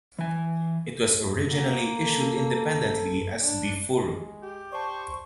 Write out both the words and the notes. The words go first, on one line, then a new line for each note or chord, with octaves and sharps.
It was originally issued independently as "Bi Furu".
E3 G#5
A#3 F#4
A4
D4
G#3
G4
C5 D5 A5 C#6